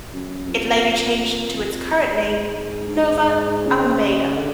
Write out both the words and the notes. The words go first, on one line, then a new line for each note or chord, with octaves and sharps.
It later changed to its current name, Nova Almeida.
F#2
F2
F2
G#2
G#2
C#3
D3